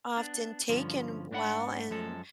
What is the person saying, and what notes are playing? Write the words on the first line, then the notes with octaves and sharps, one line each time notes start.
often taken well, and
B3 D4
G2 D3 F3 C#4
G#2 D4 E4 F#5 B5
F#2 F3 G#3 A4